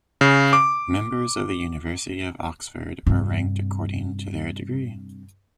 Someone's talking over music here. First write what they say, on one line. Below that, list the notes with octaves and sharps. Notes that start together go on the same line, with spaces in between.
Members of the University of Oxford are ranked according to their degree.
C#3
D6
G2 C3